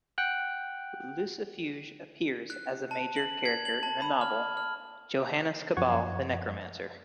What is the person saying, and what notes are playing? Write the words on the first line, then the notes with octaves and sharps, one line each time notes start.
Lucifuge appears as a major character in the novel, "Johannes Cabal the Necromancer".
F#5 G5 F#6
F#6
A5
F#7
G#6
F#7
A5
B5
F6
F6
F#2 F3 F#5 C#6 G#6